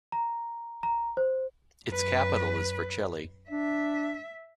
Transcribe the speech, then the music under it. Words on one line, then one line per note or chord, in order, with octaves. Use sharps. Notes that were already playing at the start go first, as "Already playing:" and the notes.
Its capital is Vercelli.
A#5
A#5
C5
F#2 B4
D4 E5